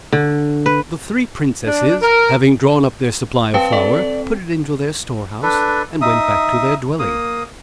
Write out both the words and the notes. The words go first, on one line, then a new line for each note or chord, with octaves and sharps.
The three princesses, having drawn up their supply of flour, put it into their storehouse, and went back to their dwelling.
D3
B4
D4
A#4
C4 B4 F5 A5
A4 D5
D4 A4 B4
D#4 E5 D#6
A#3 D#6